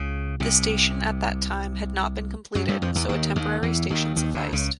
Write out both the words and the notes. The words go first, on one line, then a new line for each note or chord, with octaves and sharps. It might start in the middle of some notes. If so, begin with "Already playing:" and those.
The station at that time had not been completed so a temporary station sufficed.
Already playing: C#2 C#3
C2 C3
F#2 F#3
G2 G3
F2 F3
E2 E3
D#2 D#3
D#2 D#3
E2 E3
D#2 D#3
D#2 D#3
D2 D3
C#2 C#3